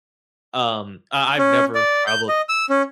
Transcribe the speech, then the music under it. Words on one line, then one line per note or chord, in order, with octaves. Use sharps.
Um, I I've never traveled
C#4
D5
G6
D#5
E6
C#4